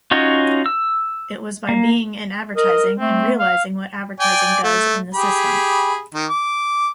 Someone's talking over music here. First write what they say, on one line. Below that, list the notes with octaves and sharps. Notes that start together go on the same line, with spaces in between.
It was by being in advertising and realizing what advertising does in the system.
C#4 D#4 F4 F#4 C#5
E6
A#3
A#4 D#5
A3 C4
F5
D5 G5 G#5
A3
G4 G#4 B5
D#3
D6